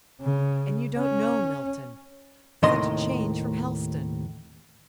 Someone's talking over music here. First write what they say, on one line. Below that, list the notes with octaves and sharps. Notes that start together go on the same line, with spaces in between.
And you don't know Milton. Such a change from Helstone!
C#3
C#4
D#2 A2 C3 D#3 D#5 C6